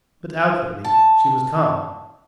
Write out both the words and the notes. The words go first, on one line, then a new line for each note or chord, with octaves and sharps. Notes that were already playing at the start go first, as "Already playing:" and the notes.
But outwardly she was calm.
A5